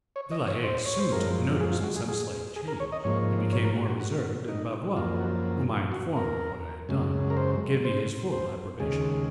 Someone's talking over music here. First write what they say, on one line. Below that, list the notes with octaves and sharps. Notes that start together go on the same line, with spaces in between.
De la Haye soon took notice of some slight change; he became more reserved, and Bavois, whom I informed of what I had done, gave me his full approbation.
C#5
D#5
C#5
C5
C#5
C5
F#2 F3 G#3 A#4
G#4
F4
F#4
G#4
G#4
G#4
A#4
C#5
D#5
G#2 F3 A#3 C#5
C#5
A#4
F#4
F#4
F#4
D#4
F#2 F3 A#3 F4
F#4
F#4
A#4
F#2 C#3 G#3
A#4
C5
C5
C5
D#2 C#3 G#3 G#4